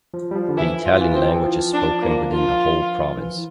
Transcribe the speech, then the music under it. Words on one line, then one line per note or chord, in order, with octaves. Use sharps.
The Italian language is spoken within the whole province.
F3
G3
F3
D3
E3 E4
F4
E3
F3 C4
E3
F3
D4
A#3
F4
E3